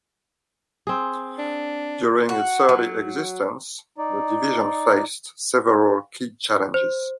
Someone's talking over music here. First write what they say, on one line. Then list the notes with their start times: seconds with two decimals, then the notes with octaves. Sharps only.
During its early existence, the division faced several key challenges.
0.87 C4 G#4
1.39 D4
2.29 F#4
2.69 F#3
3.98 D#4 D5
6.74 C5